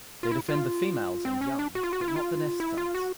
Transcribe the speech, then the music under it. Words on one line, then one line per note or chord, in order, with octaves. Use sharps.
They defend the females and young but not the nest sites.
F4
E4
F4
C4
C#4
D4
F#4
F4
F#4
F4
E4
F4
E4
F4
F#4